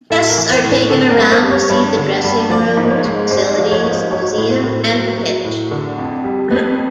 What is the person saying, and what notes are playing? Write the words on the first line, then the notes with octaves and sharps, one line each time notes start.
Guests are taken around to see the dressing rooms, facilities, museum and the pitch.
A2 A4
A#4
E3
C5
A2
B4
D3 A4
A#4
G2
C5
G3
C#5
G2
D3
G2
F3 D5
G#2
C#5
G#3
G#2 C5
F3
C#5
G#2
F#3 C#5
A2
C5
A2
F#3
F#3
A2
D3
F2
G3
F2 B4